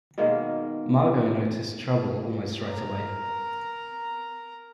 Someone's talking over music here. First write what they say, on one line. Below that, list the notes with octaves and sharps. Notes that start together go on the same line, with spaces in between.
Margo noticed trouble almost right away.
B2 D#3 G#3 A#3
A#4 A#5